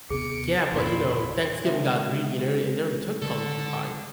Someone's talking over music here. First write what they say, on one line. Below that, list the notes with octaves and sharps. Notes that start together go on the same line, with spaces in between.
Yeah, but, you know, Thanksgiving got greedy, and r and they already took pumpkin pies.
D#2 C3 B3 G#4 C#7 D7
G1 E2 A#2 E4 C6
C#2 C3 E5
D3 A4